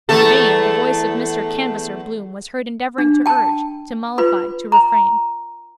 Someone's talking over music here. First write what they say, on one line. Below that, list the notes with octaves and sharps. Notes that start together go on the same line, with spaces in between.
In vain the voice of Mr Canvasser Bloom was heard endeavouring to urge, to mollify, to refrain.
E2 A3 A4
D4
G5 A5
F4 B4 B5
A#5